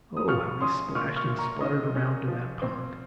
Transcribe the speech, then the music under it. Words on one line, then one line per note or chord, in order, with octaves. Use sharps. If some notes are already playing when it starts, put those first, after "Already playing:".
Oh, how he splashed and spluttered around in that pond!
D#6
F3 C#6 F6
C#4 C6 D#6
A#2 C#6 F6
C#6 F6
A#2
A#5 C#6
D#3 D#5
C#4
F3
C4